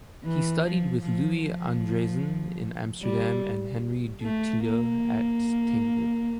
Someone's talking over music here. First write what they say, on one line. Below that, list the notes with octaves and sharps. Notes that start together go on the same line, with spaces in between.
He also studied with Louis Andriessen in Amsterdam and Henri Dutilleux at Tanglewood.
E3
F3
F3
F3
G3
A3
A#3